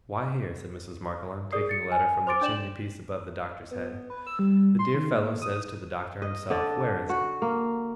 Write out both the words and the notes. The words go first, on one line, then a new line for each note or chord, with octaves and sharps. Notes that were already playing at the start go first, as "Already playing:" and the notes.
'Why, here,' said Mrs. Markleham, taking a letter from the chimney-piece above the Doctor's head, 'the dear fellow says to the Doctor himself--where is it?
G#4 A#4 D5 D#6 C7
A6 C#7
G#5
C5 C6 D6 A6 D7
D4 D5 E7 F#7
B3
B4
E6
G3
C6
D#3
A#2
D#6
D#5
D3 D4 D5 D#5
F#4
A#3